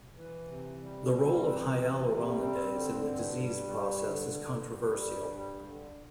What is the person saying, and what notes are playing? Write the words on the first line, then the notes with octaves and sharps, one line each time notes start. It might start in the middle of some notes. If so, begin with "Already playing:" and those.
The role of hyaluronidase in the disease process is controversial.
E3
C3
G3
C4
E3
C3
G3
C4
D3
G2
G3
G2
D3
G2
G3
G2
G3
D3